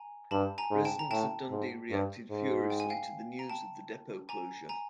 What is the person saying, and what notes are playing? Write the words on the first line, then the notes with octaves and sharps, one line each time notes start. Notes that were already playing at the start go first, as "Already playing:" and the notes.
Residents of Dundee reacted furiously to the news of the depot closure.
Already playing: G#5 A#5
G2 A5 B5
G#5 A#5
G#2
G5 A5
A#5
A2 G5 A5
G#2
G2
G#2
G5
G#5
F5 G5
A#5
G5 A5
G#5 A#5
G#5 A#5